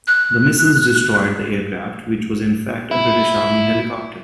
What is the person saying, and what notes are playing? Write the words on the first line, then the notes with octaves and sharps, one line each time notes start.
The missiles destroyed the aircraft, which was in fact a British Army helicopter.
F#6
E4